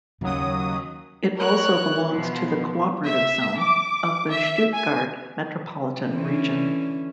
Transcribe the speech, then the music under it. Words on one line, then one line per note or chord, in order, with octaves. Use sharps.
It also belongs to the "Cooperative Zone" of the Stuttgart Metropolitan Region.
D#2 C#3 F#3 D#6
A#4 C#5 F#6
B2 F3 B3
E5
D6
E5
G#5
D3 E3 C#4